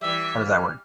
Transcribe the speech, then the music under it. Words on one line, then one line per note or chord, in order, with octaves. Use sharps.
How does that work?
E3 G3 E5
F6